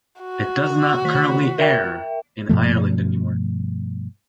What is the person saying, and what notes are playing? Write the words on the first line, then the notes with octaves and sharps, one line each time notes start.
It does not currently air in Ireland any more.
F#4
D#3 B6
A#4 E5 G5
G2 B2 F3 A3